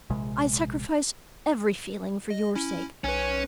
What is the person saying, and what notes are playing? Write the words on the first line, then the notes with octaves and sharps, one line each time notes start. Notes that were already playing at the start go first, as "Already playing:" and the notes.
I sacrifice every feeling for your sake.
A#1 C3 G#3
D#5
C#4 E4
B1 C#4 B4